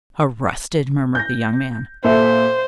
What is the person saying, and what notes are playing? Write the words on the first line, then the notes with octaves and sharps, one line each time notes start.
"Arrested!" murmured the young man.
G6 A#6
A#2 A4 C5 E5